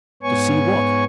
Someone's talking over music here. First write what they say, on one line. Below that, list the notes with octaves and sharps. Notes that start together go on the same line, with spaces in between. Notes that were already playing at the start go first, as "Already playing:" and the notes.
To see what?
G#2 B3 C#5 G#5 C#6